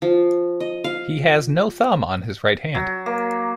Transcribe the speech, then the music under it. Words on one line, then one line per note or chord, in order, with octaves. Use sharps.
He has no thumb on his right hand.
F3
D#5
F5
F#3
A#3